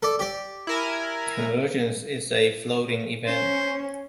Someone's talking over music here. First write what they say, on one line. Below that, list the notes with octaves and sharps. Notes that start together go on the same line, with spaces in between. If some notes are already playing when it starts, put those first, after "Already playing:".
Convergence is a "floating" event.
A4 D5
G4 D5
E4 A#4 G#5
C#4 C5